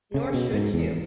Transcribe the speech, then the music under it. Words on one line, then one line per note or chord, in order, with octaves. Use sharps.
Nor should you.
C#3
B2
G#2
E2